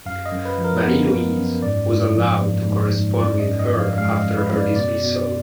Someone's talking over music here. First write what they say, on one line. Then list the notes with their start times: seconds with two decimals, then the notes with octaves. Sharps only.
Marie Louise was allowed to correspond with her after her dismissal.
0.06 F#2 F5
0.26 D#5
0.32 F#2
0.45 B4
0.58 F3
0.64 A#4
0.84 B3
1.10 F#2
1.37 F#2
1.62 G#2 D5
1.89 G#2
2.16 F3
2.41 A#3
2.67 G#2
2.94 G#2
3.19 F#2 D5
3.40 D#5
3.46 F#2
3.59 D#5
3.72 F3
3.79 F5
3.98 G#3 F5
4.17 D#5
4.23 F#2
4.37 B4
4.50 F#2
4.57 D5
4.76 B2 D5
5.03 B2